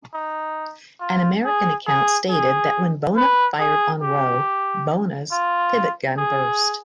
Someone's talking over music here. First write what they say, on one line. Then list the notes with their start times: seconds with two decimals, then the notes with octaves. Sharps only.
An American account stated that when "Bona" fired on "Roe" "Bona"s pivot gun burst.
0.14 D#4
1.00 F4
1.44 G#4
1.87 G#4
2.30 G#4
3.16 B4
3.59 G#4
4.02 G4
5.31 F4
6.17 G#4